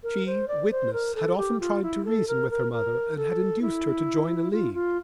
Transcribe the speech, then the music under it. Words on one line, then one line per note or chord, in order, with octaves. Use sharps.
She, witness, had often tried to reason with her mother and had induced her to join a league.
A#4
C5
D5
C5
A#4
A4
G4
F4
E4
A4
A#4
A#4
A#4
A4
E4
F4
F4